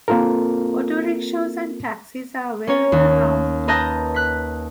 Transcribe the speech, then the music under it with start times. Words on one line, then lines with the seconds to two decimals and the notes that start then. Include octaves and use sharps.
Autorickshaws and taxis are available round the clock.
0.08 A#3 C4 F4 A4 A#4
2.67 C#4 A#4 C#5
2.92 D#2
3.68 A#4 B4 D#5 A5 G6 A#6
4.15 F#6 B6